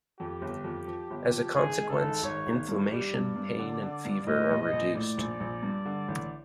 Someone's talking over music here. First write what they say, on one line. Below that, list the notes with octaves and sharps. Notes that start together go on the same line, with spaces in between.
As a consequence, inflammation, pain and fever are reduced.
F2 G4
G1
F2
F3
G1
F3
G#1 G#4
G#3
A4
G#1
G#1 C#5
G#1
C#5
G2
G3 D5
G2
G2
D3
D3
G2
A2 D#5
A#1
D#5
A#1
A2 D5
A#1
A#1
G2
D3
A1